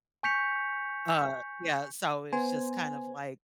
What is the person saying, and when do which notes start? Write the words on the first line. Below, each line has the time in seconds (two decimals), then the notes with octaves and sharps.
uh, yeah, so, it's just kind of, like,
0.23 G#5 C#6 G6 B6 C#7 F7
2.33 B3 C5 G#5